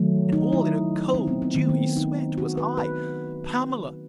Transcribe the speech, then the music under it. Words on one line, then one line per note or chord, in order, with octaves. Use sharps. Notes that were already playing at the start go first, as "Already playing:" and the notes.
And all in a cold dewy sweat was I. Pamela!
Already playing: D#3 F#3 A3
D#4
E4
C4
B3
C4
D#3 A3 C4
B3
D#4
F#4
B4
B4